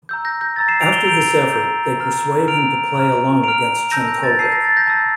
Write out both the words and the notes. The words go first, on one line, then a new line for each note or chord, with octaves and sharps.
After this effort, they persuade him to play alone against Czentovic.
A#5 E6 G6
G6 A#6
G6 A#6
A#5 E6 G6 A6
C7 E7
D7 F7
E7 G7
A#5 E6 G6 D7 F7
A#5 E6 G6
A#5 F6
A#5 F6 D7 F7
A#5 F6
A#5 F6 D7 F7
A5 E6 G6 A#6
G6
A6
A5 E6 G6 C7
A#6
A6
G6 A#6
A5 E6 G6